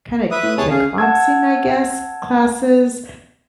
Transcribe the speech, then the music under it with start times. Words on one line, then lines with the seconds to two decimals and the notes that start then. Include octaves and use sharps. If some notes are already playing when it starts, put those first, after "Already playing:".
kinda kickboxing, I guess, classes,
0.31 B4 E5 D#6
0.43 A2
0.58 C3 G#4 C#5 A5
0.70 C#3 G#4 F5
0.98 F#5 A5 E6 G#6